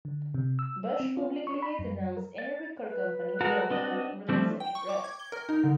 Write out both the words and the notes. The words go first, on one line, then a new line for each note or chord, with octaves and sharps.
Bush publicly denounced any record company that would release such a product.
D3
C3
E6
C4
F4
C#6
B5
F#2
A#4
A6
B4
G#3 F#4 A4 A#4
C4 D4 D#5
F3 G3 A3 C4 D4
G5
C#6
D6
G#6
G7
A#4
D#4
D3